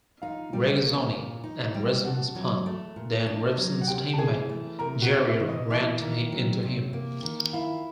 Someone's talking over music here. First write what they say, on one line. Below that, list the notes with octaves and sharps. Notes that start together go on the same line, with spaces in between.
Regazzoni and Resvon spun, then Revson's team-mate, Jarier ran into him.
D#4 F4 F5
G3
A#3
A#2
D#4
G3
D4 F#4 F#5
F#3
A3
A#2
D4
F#3
F#5
C3 G4 G5
A5
E3 G#4 G#5
A3
C3 A#4 A#5
F#4 F#5
C3
E4 E5
E3
D#5
A#3 E4 E5
D#3
F#3
C3
A#3
D#3
E4 F4 F5